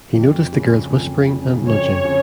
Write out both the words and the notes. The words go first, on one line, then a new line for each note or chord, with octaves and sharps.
He noticed the girls whispering and nudging.
F2
C#3 G#3
F2
C#3 G#3
F2 C#5
C#3